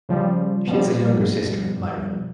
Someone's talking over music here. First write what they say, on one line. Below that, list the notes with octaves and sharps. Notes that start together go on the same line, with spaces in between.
She has a younger sister, Myra.
C#3 F3 G3
B2 F3 G3